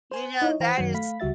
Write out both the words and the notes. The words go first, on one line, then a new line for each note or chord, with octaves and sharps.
You know, that is
C5 G#5 C6
D#4 E4 C#5 D#5
E3 C5 G5 A#5
F#2 D#3 F#3 F#4 G#6
A3 F5 B5 B6
C#2 G3 F#4 E5 A6